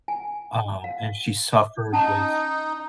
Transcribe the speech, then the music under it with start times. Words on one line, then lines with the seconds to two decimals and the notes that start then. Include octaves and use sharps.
um, and she suffered with
0.08 G#5
0.84 F5
1.92 C#4 D#4 A5